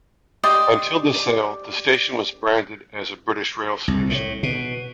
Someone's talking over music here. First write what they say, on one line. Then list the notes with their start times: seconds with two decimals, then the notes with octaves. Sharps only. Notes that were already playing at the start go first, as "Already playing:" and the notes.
Until the sale, the station was branded as a British Rail station.
0.43 G4 D5 D#5 C6
3.88 C2
4.09 A2
4.43 B2